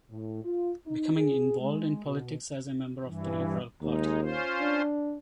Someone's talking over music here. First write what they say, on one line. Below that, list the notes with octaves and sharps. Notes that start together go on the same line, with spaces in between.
Becoming involved in politics as a member of the Liberal Party.
A2
F4
D#4
G#4
G#3
B2
G2 E3
D#2 G#3 D#4
C#4 F4 C5
D4